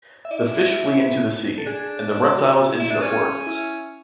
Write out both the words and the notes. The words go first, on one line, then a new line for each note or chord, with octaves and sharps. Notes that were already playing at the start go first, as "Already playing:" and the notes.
The fish flee into the sea, and the reptiles into the forests.
E5
E4 D5
B4
A4
D4 G#4
F#4
F#4
E4
E4
D4
C#4 G#4
E4